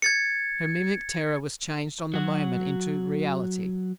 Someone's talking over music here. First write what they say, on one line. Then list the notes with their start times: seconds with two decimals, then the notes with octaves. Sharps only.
Her mimic terror was changed on the moment into reality.
0.02 G#6 A6 C#7
2.14 F#3 F#4